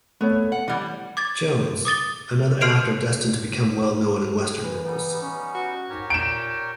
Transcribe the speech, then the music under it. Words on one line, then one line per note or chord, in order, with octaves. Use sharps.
Jones, another actor destined to become well known in western roles.
A3 B3 A4 C#5
F#5
E3 G3 F#5
D6 G#6 A6
D6 D#6 A6 G7
C6 F6 C7 D7 F7
E3
G3 B3 D#4
C#4
F#4
G#2 G4 A#4 C#5
A#2 G5 D7 E7